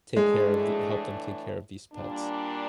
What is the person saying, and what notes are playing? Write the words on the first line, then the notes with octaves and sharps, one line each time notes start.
take care of the help them take care of these pets.
A2 E3 G#3 A3 D4
A#2 G3 A#3 D4